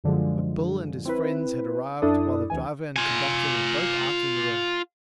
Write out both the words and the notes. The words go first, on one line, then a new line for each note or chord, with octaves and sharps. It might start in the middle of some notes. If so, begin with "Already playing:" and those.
But Bill and his friends had arrived while the driver and conductor were both out in the road.
F#2 D3 F3 G#3
C4 E4 B4
F#2 D4 E4 A4 D#6
D2 E3 G#5
F4 G#5